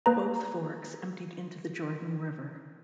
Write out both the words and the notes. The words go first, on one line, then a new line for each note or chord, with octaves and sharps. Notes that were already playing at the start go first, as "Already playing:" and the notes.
Both forks emptied into the Jordan River.
A#3 B4 A#5